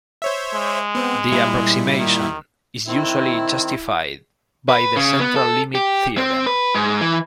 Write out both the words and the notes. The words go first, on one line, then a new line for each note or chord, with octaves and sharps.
The approximation is usually justified by the central limit theorem.
C5 C#5 E5
G#3
B3 C4
A#2 G3 E4
D#3
D#3 C4 E4
B4
C#3
B3
A4
G4
C4
B4
G#2
E3